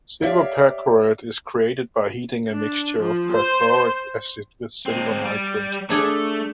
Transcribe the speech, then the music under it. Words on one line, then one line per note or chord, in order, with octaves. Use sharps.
Silver perchlorate is created by heating a mixture of perchloric acid with silver nitrate.
G4 C#5 D5 E5 F5
D4
F3
C5
G#3 C4
G3
A3 D4 G#4